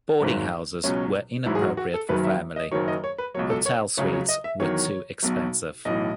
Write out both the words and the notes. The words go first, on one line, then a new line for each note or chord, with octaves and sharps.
Boarding houses were inappropriate for family; hotel suites were too expensive.
G#1 G#2 F#3
C#2 B2 F#3 C#4
A1 G#2 F#3 E4
G#4
F#4
F#4
A4
F#1 F#2 D#3 F#3 B4
E5
D#5
F#1 F#2 D#3 F#3 C#5
D#5
C#5
B4
C#2 B2 F#3 C#5
A4
C#5
C#2 C#3 F#3 C#5
C#5
D#5
E5
E2 D#3 F#3 C#5
B1 B2 F#3
B1 A2 E3 D#5